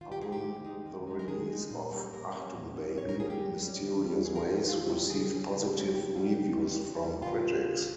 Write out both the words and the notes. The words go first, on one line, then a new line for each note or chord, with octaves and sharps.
Upon the release of "Achtung Baby", "Mysterious Ways" received positive reviews from critics.
D#3 F4
G4
G#3 D#4 G#4
G4
D#3
G#3 D#4
D#3
G#3 D#4
A#4
D#3 G#4
G#3 D#4
A#2
G3 A#3 C#4
A#2 A#4
G3 A#3 C#4
A#2
G3 A#3 C#4
A#2 C#5
A#4
G3 A#3 C#4 G#4
G4
D#3
G3 C#4
D#3
G3 C#4
D#3 G#4
A#4
G3 C#4
G4
D#3 F4
G3 C#4 G4
C#3 G#4
G3 C#4
C#3
G3 C#4
C#3 G4
G3 C#4 G#4
G4
C#3
G3 C#4
C#3
G3 A#3 C#4
C#3 F4
G3 A#3 C#4
C#3